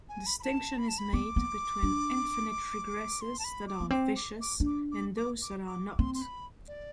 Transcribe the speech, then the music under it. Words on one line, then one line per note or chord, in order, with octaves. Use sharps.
Distinction is made between infinite regresses that are "vicious" and those that are not.
G#5
B5
B5
A5
B5
A5
B5
B3 D6
B3
D4
C6
A5
B5
D6
B3
C4 D6
D6
D6
D4
D6
D6
D6
D6
D6
C4 C6
C6
B5
D5